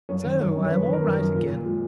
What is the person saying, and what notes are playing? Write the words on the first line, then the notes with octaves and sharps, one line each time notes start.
So I am all right again.
F#2 C#5
D#3
F#2 C#5
F#2
C#5
F#2 B4
D#3 B4
A#4
F#2
A#4
F#2
A#2
A#2
G#3